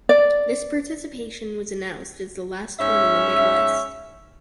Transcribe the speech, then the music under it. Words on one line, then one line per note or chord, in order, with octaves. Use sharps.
This participation was announced as the last one in the Midwest.
D5
G#2 C#4 E5